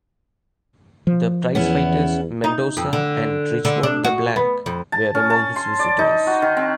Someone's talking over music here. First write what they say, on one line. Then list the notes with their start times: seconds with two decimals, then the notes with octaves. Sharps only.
The prize-fighters Mendoza and Richmond the Black were among his visitors.
1.07 F3
1.55 E2 B3 C#4 E4
2.44 D#4
2.77 F2
2.93 D3
3.65 D3
3.83 D4
4.04 F#4
4.36 B3
4.66 F2
4.92 A5
5.15 C#4
5.30 A5
5.56 C6
5.79 D5
5.99 D#4
6.27 F#4
6.42 D#3
6.57 C4